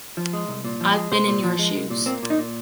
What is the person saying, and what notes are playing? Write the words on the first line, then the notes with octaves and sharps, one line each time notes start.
I’ve been in your shoes.
F3
G#3
C2
A#2
F3
G#3
C2 C5
A#2
F3
G#3
C2
A#2
A#3 C4
A#2
D#4
A#2